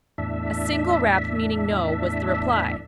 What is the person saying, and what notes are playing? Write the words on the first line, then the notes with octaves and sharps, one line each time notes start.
A single rap, meaning "No," was the reply.
E2 A2 D4 E5